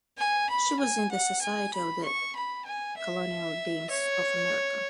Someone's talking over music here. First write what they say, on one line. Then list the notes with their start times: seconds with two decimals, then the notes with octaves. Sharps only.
She was in the Society of the Colonial Dames of America.
0.18 G#5
0.50 B5
0.80 G#5
1.11 F#5
1.41 G#5
1.74 B5
2.04 C#6
2.36 B5
2.66 G#5
2.97 E5
3.90 C#5